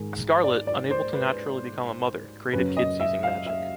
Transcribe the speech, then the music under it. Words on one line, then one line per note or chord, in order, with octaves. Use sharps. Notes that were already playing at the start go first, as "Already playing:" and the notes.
Scarlet, unable to naturally become a mother, created kids using magic.
Already playing: G#2 D#3 G#3
D5
D5
C5
B4
F#2 C#3 F#3 B4
D#5
E5
F5
E5